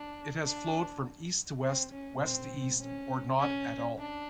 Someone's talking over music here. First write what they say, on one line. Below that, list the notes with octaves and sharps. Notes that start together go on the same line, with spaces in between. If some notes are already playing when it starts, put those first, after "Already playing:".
It has flowed from east to west, west to east, or not at all.
Already playing: D4
D4
C4
C#4
C4
C#4
C#4
D4